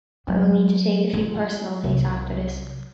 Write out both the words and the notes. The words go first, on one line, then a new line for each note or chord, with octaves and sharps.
I will need to take a few personal days after this.
F#3
F4
C2